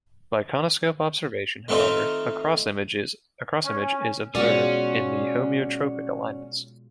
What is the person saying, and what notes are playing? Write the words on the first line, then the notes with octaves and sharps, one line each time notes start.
By conoscope observation, however, a cross image is observed in the homeotropic alignments.
D#3 A3 C4 D#4 F4
C#4
B2 G#3 C#4 F4 F#4 D5